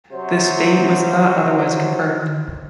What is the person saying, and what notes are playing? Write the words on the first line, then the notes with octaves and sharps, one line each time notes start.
This date was not otherwise confirmed.
C3 F#3 C5